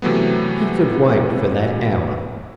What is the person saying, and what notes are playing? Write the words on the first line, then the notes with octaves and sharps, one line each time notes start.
He could wait for that hour.
C3 E3 F#3 A3 B3